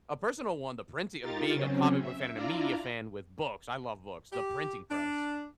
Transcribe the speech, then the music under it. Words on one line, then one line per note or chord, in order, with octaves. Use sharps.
a personal one, the printing of being a comic book fan and a media fan with books. I love books. The printing press,
D#4 F4 G4 A#4 A6
C#3 F#3 C4 C#4
E5
D4 E4 F4 D5 F5 A#5
G4
D4